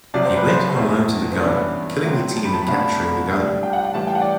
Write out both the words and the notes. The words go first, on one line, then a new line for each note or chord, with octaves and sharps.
He went on alone to the gun, killing the team and capturing the gun.
C2 C3 F#3 D5
C5
B4
C5
E2 B2 A3 E4
C5
A1 G2 E3 B3 D5
A2 F#3 C4
A5
B5
A5
B5
C2 B2 A3 D4 A5
B5
A5
B5
A2 G3 D4
G5
F#5
F#5
A2 E3 G3 A5
G5
F#5
D5